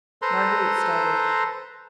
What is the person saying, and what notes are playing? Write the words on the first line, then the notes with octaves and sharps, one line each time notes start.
Marguerite started.
A4 B4 C5 A#5 C6